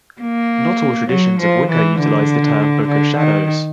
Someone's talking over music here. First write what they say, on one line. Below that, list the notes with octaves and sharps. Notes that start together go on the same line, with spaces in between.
Not all traditions of Wicca utilize the term "Book of Shadows".
A#3
F#3
F3
E3
D3
D3
D#3